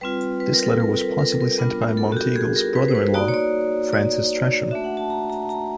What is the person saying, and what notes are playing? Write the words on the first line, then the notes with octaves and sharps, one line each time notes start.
This letter was possibly sent by Monteagle's brother-in-law, Francis Tresham.
G3 C4 F4 B4
B4
A#4
A4
A#4
B4
A#4
A4
A#4
G3 B3 D4 F4
A4
F#4
G4
G#4
A#4
B4
C5
B4
A#3 D#4 F#4 D5
C#5
D5
D5
A3 D4 F#4 E5
F#5
A5
A#5
A#5
A#5